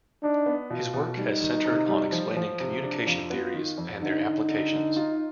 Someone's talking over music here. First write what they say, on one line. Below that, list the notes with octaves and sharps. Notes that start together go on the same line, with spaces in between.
His work has centred on explaining communication theories and their applications.
D4 D#4
B3
B2 F4
B2
G3 D#4
D#3
C3
G3
F3
F3
C3
D4
F2 F4
B3
D#3
F2
D3 D#4
D3
D3
D3
F4